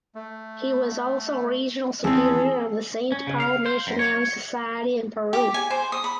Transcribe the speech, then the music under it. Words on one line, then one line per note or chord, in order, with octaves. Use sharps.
He was also regional superior of the St Paul Missionary Society in Peru.
A3
E2 C4 G#4 A4
C#4
C#3
F5
C5
F#2
C#5
G4
G#5
C5
D#6
B5